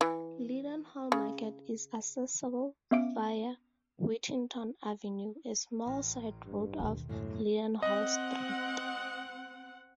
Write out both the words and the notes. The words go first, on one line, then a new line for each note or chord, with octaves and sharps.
Leadenhall Market is accessible via Whittington Avenue, a small side-road off Leadenhall Street.
E3
C#3
B3 C#4 E5 F5 D6 D7
A1 A#4
G2
D#2 B2
F#2 A2 G#3 D4
C4 D#5 F#5